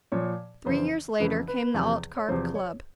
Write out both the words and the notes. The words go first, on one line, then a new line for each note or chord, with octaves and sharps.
Three years later came the Altcar Club.
A#2 F3 C#5
F2 C#3 E3 C5
F2 C#3 E3 B4
B4
E2 C3 F3
C#5
E2 C3 F3 C5
C#5